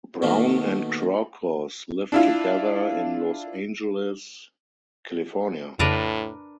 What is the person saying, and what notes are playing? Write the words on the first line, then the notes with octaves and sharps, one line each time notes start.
Brown and Crokos lived together in Los Angeles, California.
B2 D#3 A3 A#3
D4 E4 F4
F2 A2 C#3 D4 A#4 B4 A#5